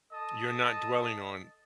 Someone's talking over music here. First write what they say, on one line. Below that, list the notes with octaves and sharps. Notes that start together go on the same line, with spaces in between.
you're not dwelling on
A4 D#5 A5 D#6